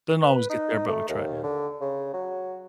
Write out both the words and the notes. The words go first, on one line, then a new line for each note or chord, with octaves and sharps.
Doesn't always get there, but we try, yeah.
B4
D#4
A3
D#2
D3
C#3
F#3